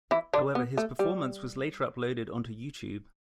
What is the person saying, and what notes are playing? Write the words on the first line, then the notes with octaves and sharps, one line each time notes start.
However, his performance was later uploaded onto YouTube.
E3 E4
D3 D4
B3
A3
G3